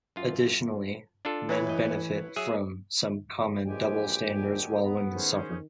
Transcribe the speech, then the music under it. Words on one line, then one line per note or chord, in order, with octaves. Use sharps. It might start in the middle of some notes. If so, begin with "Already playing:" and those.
Additionally, men benefit from some common double standards while women suffer.
F#2 F4
D4 F4 A4
E3 E4 B4 C#5
A1 D#5
F#3 G#4 E5
A#1 E3 G#3 G4 G5 G#5
D3 D#3 F#3
A2 B3 A#5
D#3 C#4 G#4 C5